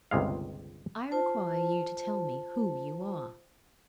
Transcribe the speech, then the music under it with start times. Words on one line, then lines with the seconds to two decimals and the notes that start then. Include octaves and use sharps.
I require you to tell me who you are.'
0.11 G1 C#2 C3 G#3 F5
1.11 F4 C5 A5